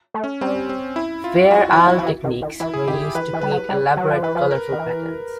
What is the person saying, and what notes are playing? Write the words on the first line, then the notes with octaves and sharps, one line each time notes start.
Fair Isle techniques were used to create elaborate colorful patterns.
A3
C#4
G3 C4
C4
E4
F4
F#3 F#4
F#3
E4
F4
F#3
F3
E3
D#3
D#3
E3 E4
G#4
D#3 G4
E3 B4
E3
G3 B4
F#3
G3
F#3
F3
E3 B4
F3
A#4
D#3
E3